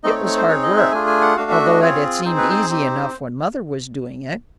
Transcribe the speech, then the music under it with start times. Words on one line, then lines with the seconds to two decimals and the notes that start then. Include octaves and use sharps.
It was hard work, although it had seemed easy enough when mother was doing it.
0.03 A3 C4 D#4 D#5
0.10 D5
0.14 C#5
0.26 C#5
0.37 C5
0.48 C4 D#4 G#4 C#5
0.63 D#5
0.77 E5
0.92 A3 D4 F4 G#4 G#5
1.07 G#5
1.21 F#5
1.37 A3 D4 F#4 F5
1.51 E5
1.66 D#5
1.81 C4 F4 G#4 C#5
2.25 C4 D#4 G#4 C5
2.38 B4
2.50 C5
2.69 C4 D#4 G4